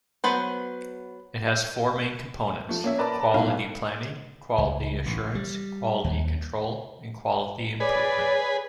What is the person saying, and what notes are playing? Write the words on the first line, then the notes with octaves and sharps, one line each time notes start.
It has four main components: quality planning, quality assurance, quality control and quality improvement.
F#3 B3 B4 C5
F3 A3
A#3 C#4 E5
A#4 B4 D5 A5 B5
B1 G#2 B2 F5
C#2
A1
G3
D#2
G#4 B4 C#5 D5